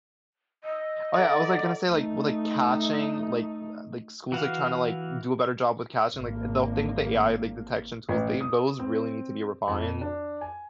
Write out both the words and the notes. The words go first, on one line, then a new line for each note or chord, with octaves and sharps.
Oh, yeah, I was, like, gonna say, like, well, like, catching like, uh, like, schools, they tryna, like, do a better job with catching, like, they'll think the AI like, the detection tools, they those really need to be refined
D#5 E6
A4 D5 F#5 A#5
A3 D#4
E3 F#4 F5
G#1 A#3
A1
D#6
C4
F2
D4
G#5